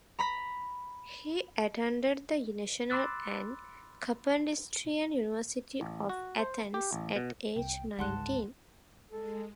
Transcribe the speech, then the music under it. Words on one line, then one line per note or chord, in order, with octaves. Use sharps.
He attended the National and Kapodistrian University of Athens at age nineteen.
A#5 B5 B6
B5 C6 D6 E6 F#6 A6
A1
F#4
C5
G4
A1
B2
C2 G5
G1 C#2 G#2 G#3 F#5 A5 C6 F#6
G#3 A4